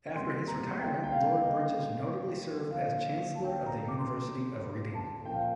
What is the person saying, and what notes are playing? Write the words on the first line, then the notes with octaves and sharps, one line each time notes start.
After his retirement Lord Bridges notably served as Chancellor of the University of Reading.
C3 G3 A#3 C6
A#5
G5
G5
F5
D#5
D3 F3 A#3 F5
A5
G5
A5
A#5
D6
C6
A5
A#2 F3 A#3 G5
F5